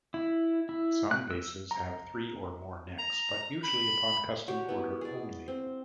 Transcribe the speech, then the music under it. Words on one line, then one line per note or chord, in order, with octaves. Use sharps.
Some basses have three or more necks, but usually upon custom order only.
E4
E4
F#6
E6
A#5
A#5
B5
F#4 G4 C#5
B3 E4
G#4 D5
C4